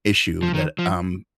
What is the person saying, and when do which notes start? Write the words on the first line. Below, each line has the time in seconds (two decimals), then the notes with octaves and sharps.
issue that, um
0.43 F3
0.54 D#3
0.79 F3